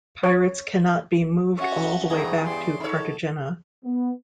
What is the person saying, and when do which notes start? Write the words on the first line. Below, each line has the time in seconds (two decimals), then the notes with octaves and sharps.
Pirates cannot be moved all the way back to Cartagena.
0.24 C#5
1.58 C#4 F#4 C#5 E5 F#5
2.10 E2 G2 G#4 G#5 A#5
2.44 B4 D5 C6
2.80 D#4 A4 C#5
3.85 B3